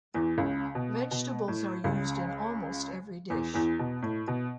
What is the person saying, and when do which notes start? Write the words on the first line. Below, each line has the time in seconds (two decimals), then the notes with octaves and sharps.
Vegetables are used in almost every dish.
0.14 E2 E3
0.38 C#2 C#3
0.75 B2
1.11 B2
1.48 A2
1.84 C#2 C#3
3.30 E2 E3
3.54 E2 E3
3.79 B2
4.02 A2
4.28 B2